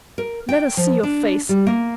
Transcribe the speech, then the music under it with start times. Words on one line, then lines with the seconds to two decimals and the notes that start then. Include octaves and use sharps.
Let us see your face!
0.18 A#4
0.49 G5
0.77 F3
1.03 D4
1.49 G3
1.67 A#3